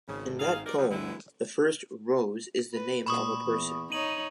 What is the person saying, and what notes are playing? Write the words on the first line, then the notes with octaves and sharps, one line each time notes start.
In that poem, the first "Rose" is the name of a person.
G#1 C#3
D#4 G#4 F5
D#4 A#4 D5
F#2 F3
D2 G2 G#3 B3 E4
B4
A#2 B5 C#6 D#6
E2
D#4 C#5 D#7 F#7